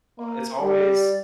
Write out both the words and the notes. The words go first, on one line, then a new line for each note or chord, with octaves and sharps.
a it's always,
A#3
G3 D5